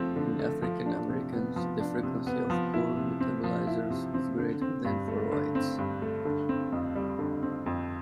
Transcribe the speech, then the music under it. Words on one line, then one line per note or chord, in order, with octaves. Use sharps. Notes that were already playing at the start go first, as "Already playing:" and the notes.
In African-Americans, the frequency of poor metabolizers is greater than for whites.
Already playing: F3 A3 C4
D3
A3
F3
D4
C3
B3
F3
D4
C3
B3
F3
E4
C3
C4
F3
E4
C3
C4
D3
C4
G2
A3
D3
C4
G2
A3
D3
C4
F2
G3
D3
C4
F2